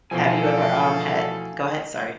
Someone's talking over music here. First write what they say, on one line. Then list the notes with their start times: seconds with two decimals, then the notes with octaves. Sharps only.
Have you ever, um, had Go ahead, sorry.
0.11 B2 E3 F3 A3 F#4 A4 F5 G#5